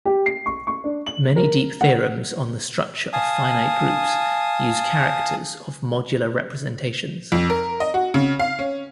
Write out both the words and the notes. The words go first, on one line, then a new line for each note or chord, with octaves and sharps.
Many deep theorems on the structure of finite groups use characters of modular representations.
G4
C7
C#6
C#6
D4
F#7
A#4
F#5
F5 G#5 A5 D#6
F2
A#4
D#5
F#4
C#3
F5
C#4